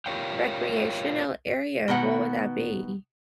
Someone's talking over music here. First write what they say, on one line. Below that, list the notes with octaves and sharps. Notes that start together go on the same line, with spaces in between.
recreational area, what would that be?
F4 G4 A#4 C#5 F5 G5
B2 D#3 B3 F#5